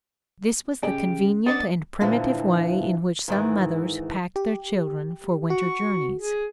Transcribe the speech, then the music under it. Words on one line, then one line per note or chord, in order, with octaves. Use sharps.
This was the convenient and primitive way in which some mothers packed their children for winter journeys.
C#3 G4 G#4 D5 D#5
B3 D4 C5 D5 D#5 D#6 A6
A#2 D3 E3 F3
G#2 D#3 E3
G4
F#4 C#6
G#4